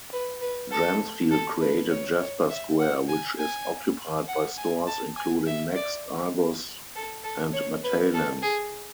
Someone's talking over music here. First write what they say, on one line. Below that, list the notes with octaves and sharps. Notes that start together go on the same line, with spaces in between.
Dransfield created Jasper Square which is occupied by stores including Next, Argos and Matalan.
B4
B4
A4
A4
B4
C#5
C#5
E5
F#5
G#5
G#5
F#5
G#5
A5
G#5
E5
D5
A4
A4
C#5
B4
A4
G#4